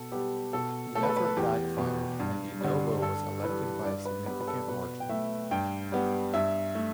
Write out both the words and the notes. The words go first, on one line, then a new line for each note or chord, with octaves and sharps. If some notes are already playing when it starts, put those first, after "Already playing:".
The effort backfired, and DiNovo was elected by a significant margin.
Already playing: B2 A4
G3 B3 G4
B2 A4
A3 A4
B4
A4
B4
A4
E2 G4
B2 B3
G2
D3 G3
G2 A4
E3 B4
G3
G2 D5
B4
G3 B3 B4
B4
A4
B2 B4
G5
A3 E5
G2 G5
G3 B3
G2 E5
A3